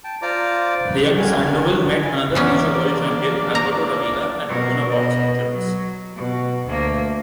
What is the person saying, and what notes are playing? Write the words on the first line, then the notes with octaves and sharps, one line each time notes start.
The young Sandoval met another future world champion, Alberto Davila, at Pomona boxing gyms.
G5 A5
F4 C5 D5 A#5 D6
B4
B3 G4 A#4 C#5 F#5 G#5
E4 G#5
E3 A#3 B3 C#4 D4 D5
A#5
B2 A#4
B2 D#5
F#3
B2
D2 A#3